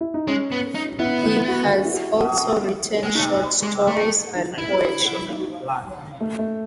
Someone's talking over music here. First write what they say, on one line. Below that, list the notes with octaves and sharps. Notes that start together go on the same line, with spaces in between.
He has also written short stories and poetry.
E4
D#4
G#3 C#4
B3
D#4
B3 E4
E4
F#4
G#4
F#4
E4
F#4
G#3
A3 D#4
G#3
A3
E4
D#4
A3
A3